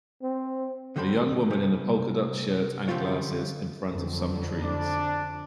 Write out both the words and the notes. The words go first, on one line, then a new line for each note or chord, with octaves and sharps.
A young woman in a polka dot shirt and glasses in front of some trees.
C4
D3 D#3 G3 C4 A4 B5
C3 G3
D3 F3 G3 C4 F4 C#5
F2 D3
D4